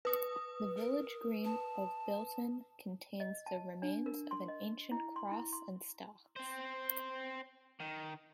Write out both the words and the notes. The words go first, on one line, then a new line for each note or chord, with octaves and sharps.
The village green of Bilton contains the remains of an ancient cross and stocks.
B4 D#6
A#4
A5
D#5
A5
D4
A#4
C6
D#5
E4
C6
E4
C6
C4 C5
D#3